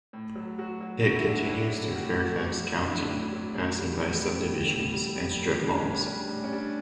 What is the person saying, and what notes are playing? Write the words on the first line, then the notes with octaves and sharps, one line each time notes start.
It continues through Fairfax County, passing by subdivisions and strip malls.
A2
F#3
F#3 F#4
F#3
F#3 F#4
E4
A2 D4
E4
A2 E4
F#3
G4
A2 F#4
F#3
F#3
F#3
D4
A2 E4
A2
F#3
F#3
G3
A2
G3
G3
A2
G3
A2
A2
G3 D4
C#4
G3 D4
G3 D4
A2
C#4
G3 D4